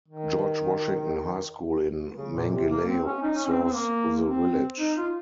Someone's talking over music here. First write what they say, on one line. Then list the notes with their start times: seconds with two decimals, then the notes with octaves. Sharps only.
George Washington High School in Mangilao serves the village.
0.08 D#3
2.18 C#3
2.35 A#2
2.53 C3
2.70 A#3
2.88 C4
3.06 C#4
3.22 D#4
3.36 C#4
3.49 C4
3.62 C4
3.74 A#3
4.27 C4
4.80 D#4
4.97 F4